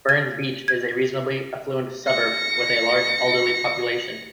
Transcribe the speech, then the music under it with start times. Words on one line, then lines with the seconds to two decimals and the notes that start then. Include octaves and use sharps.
Burns Beach is a reasonably affluent suburb with a large elderly population.
0.09 G#6
0.68 G#6
2.06 A#6 C#7